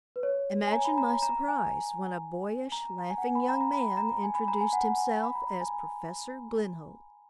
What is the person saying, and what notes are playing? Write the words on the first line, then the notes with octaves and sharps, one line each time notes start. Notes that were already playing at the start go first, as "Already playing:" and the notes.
Imagine my surprise when a boyish, laughing young man introduced himself as Professor Glenholdt.
B4
C#5
G#5
A#5
B5
A#5
A#5
A#5
G#5
A#5
A#5
A#5
G#5
F#5
G#5
B5
A#5
A#5
B5
A#5
G#5
B5
A#5
G#5
F#5
G#5
B5
A#5
A#5
G#5